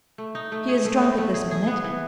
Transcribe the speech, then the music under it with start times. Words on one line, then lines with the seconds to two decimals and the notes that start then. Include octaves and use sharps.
She is drunk at this minute.
0.18 A3
0.35 D#4
0.52 A3
0.69 G#4
0.85 A3
1.01 D#4
1.18 A3
1.34 G#4
1.51 G#4
1.68 B3
1.84 E3